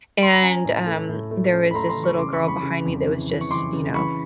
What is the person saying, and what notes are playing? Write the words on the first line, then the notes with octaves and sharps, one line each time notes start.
and, um, there was this little girl behind me that was just, you know,
C6
B5
C#4 G#5 A#5
A2
A3
A2
A3
C#4
B5
A3 A#5 C6
A#5 C6
E3
B5 C#6
C#3 C6 D6
B5 C#6
E3
B5 C#6
C#3
F2
E3
E3
C#6
E3 C6 D6
C#3
E3 B5 C#6